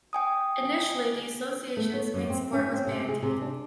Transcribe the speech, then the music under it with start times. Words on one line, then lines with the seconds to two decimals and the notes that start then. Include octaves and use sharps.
Initially the association's main sport was bandy.
0.13 G5 G#5 D#6
1.77 A3
1.94 C#5
2.14 F#2
2.30 C4
2.53 C#4
2.73 C4
2.87 C3
3.09 G#4
3.23 C3
3.41 D4